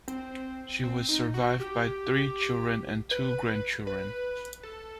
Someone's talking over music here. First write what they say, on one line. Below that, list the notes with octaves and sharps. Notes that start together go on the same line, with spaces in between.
She was survived by three children and two grandchildren.
C4
C4
D#4
F#4
G4
B4
B4
A4